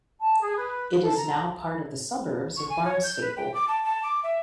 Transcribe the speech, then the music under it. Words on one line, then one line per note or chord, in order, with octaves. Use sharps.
It is now part of the suburbs of Barnstaple.
A5
G#4
B4
A4
A#5
C#6
G#5
C#5
G6
B4
G5
D6
A5
A5
D6
E5